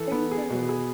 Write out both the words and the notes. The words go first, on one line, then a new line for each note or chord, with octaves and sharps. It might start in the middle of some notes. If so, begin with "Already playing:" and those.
There you go.
Already playing: E3 A4
B3
G#4
B2
G#4